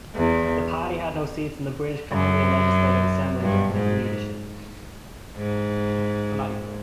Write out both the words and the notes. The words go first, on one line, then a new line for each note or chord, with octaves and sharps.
The party had no seats in the British Columbia Legislative Assembly during his leadership.
E2
F#2
G2
G#2
G#2